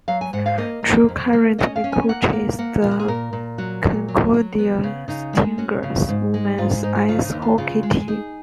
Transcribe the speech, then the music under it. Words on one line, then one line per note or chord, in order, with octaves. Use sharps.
Chu currently coaches the Concordia Stingers' women's ice hockey team.
F#3 F5
G#5
G#2 F#5
F5
A#3 D#5
A#3
F2
A#3
C#4 D#5
F5
C#4
G#5
A#3 F#5
A#3
A#3 F#5
A#2 F4
F#4
G#4
A#2 A#4
A#2
F#3 F#4
A#2
F#3
F#3
B3
C#3
C#3 D#4
G#3
C#4 F#4
C#3
G#2
G#3
G#2 F4
F4
G#2 D#4
F4
C#3 F4
D#4
D#2
F4
C#3 F4
G#3
D#4 G#4